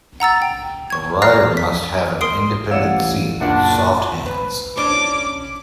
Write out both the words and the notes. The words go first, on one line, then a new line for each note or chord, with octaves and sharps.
The rider must have an independent seat and soft hands.
F#5 A#5 E6 A6
G5
C#6 G#6
D5 A#5 F6 F#6 A#6 C7
B6
A#4 C6 D#6 C7 D7
A1 C#5 D5 F5 F#5 E6 E7
F#1 A#2 D4 F#5
B4
C#4 D4 D6